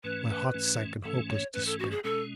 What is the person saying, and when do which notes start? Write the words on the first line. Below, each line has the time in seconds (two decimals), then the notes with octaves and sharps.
My heart sank in hopeless despair.
0.04 G#2 E3 A3 C#4 B4
0.29 B4
0.54 G#2 E3 A3 C#4
1.04 G#2 E3 A3 C#4 A4
1.29 C#5
1.54 G#2 E3 A3 C#4 B4
1.66 A4
1.79 F#4
1.91 G#4
2.04 B2 G#3 C#4 A4